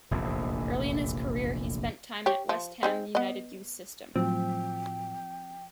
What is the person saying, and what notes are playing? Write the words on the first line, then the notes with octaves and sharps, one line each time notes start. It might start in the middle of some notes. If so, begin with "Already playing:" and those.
Early in his career he spent time at West Ham United's youth system.
F1 A#1 E2
G4 C#5
F3
C4 D#4 G#4
B3 D#5
A2 F3 F#3 C4 G5